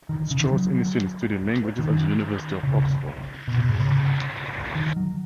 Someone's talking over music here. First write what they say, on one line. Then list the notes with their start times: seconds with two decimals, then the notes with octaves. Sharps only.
Strauss initially studied languages at the University of Oxford.
0.09 D#3
0.31 C#3
0.41 D#3
0.51 F#3
1.79 D#3
2.63 C#3
3.47 B2
3.58 B2
3.69 G#2
3.79 C#3
4.75 D#3
4.96 F#3